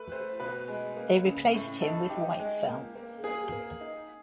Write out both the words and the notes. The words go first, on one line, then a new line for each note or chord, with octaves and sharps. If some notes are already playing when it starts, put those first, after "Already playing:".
They replaced him with Whitesell.
Already playing: A3 B4
A3 C5
B2 B4
G#3
A#3
C#3
A2
D#4 A4
D#4 G4
G#3
A#3
A#3
A#3 G#4
A#3
D#4